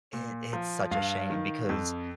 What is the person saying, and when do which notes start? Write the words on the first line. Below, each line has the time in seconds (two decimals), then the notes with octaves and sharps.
It it’s such a shame because,
0.13 A#2
0.53 F3
0.91 G2 F5
1.30 D#3
1.69 F2